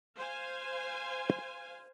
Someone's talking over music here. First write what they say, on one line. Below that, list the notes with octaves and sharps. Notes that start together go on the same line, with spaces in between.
The custom is in general the same but there are some significant variations.
C5 F5 G#5